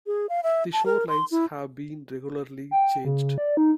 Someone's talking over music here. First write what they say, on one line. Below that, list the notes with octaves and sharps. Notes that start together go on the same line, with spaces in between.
The shorelines have been regularly changed.
G#4
F5
E5
A5
A#4
C6
E4
G5
C#3
D5
D#4